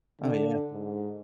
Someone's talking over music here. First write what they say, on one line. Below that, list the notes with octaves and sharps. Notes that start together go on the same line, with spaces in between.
Oh, yeah.
D3
G#2